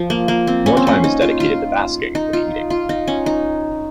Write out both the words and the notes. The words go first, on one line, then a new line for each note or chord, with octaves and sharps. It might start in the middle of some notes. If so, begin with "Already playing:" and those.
More time is dedicated to basking than eating.
Already playing: F3
A#3
A#3
C4
C#4
C4
C#4
D#4
F4
F4
D#4
F4
F4
D#4
C#4
D#4